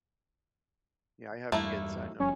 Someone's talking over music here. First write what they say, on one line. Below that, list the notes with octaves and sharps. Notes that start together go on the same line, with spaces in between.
Yeah, I have kids, I know.
E2 G2 G3 A3 A#3 E4
F#1 F3 G3 C#4